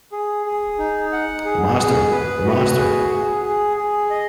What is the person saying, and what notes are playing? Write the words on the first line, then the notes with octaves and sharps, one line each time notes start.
The Master, the Master!
G#4
G#4
D#4
F#5
G#4
G#4
B4
F#4
G#4
G#4
G#4
G#4
D#5